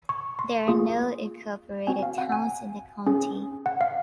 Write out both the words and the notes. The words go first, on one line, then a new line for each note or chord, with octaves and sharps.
There are no incorporated towns in the county.
C#6
C6
A#3 F4 G#4
C4 F#4 G#5
F5
F#5
G#5
C#4 G#4
F#5
F5